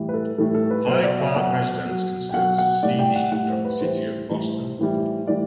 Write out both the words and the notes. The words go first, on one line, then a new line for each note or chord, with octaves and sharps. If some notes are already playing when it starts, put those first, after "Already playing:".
Hyde Park residents considered seceding from the City of Boston.
Already playing: A2 E3 G3
B4
A4
A2 E3 G3 A4
A4
B4
B2 F#3 C5
D5
E5
B2 F#3 F#5
B2 F#3
G5
B2 F#3 F#5
F#5
A2 G3 D5
G5
F#5
A2 G3 F#5
C5
B4
A2 E3 G3 C5
A2 E3 G3
A2 E3 G3
A2 E3 G3 D5